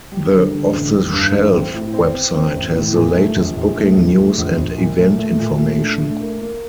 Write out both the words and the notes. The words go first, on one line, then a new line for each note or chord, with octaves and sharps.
The Off the Shelf website has the latest Booking, News and Event information.
G3
D3
D3
A1
G3
G2
A1
C4
A2
C4
C4
C4
A1
A2
A#2
A3
A#1
A#1
A3
A#1
A3
A#1
A#1
A#2
A3
A3
A#2
A3
D4
A3
A#3
A#3